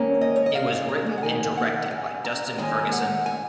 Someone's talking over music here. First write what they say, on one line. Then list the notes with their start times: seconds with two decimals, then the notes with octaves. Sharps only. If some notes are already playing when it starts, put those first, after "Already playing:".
It was written and directed by Dustin Ferguson.
Already playing: G#2 D#3 A#3 C#4
0.21 D#5
0.36 C#5
0.46 D#5
0.55 F5
0.73 G#5
0.89 A#5
1.06 G#5
1.18 F#5
1.23 F2 D#3 A#3 D#4 G#5
1.57 F#5
1.86 F#5
1.91 G#5
2.24 A#5
2.58 D#2 D#3 G#3 G#5
2.92 F#5
3.26 G#5